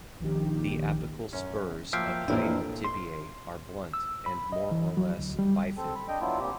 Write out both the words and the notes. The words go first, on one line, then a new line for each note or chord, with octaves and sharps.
The apical spurs of hind tibiae are blunt and more or less bifid.
A#1 D#3 G4
F#2 C#4
F3 F#3 A#3 E5 F5 G5
A1 F2 A#2 D4 E4
C6
E6
B5
D#5
E3
F#3
D2
G3
C4 A4
B5
D4 D#5 G5
F#3 B3 D4 E4 F4
A#2 C4 G4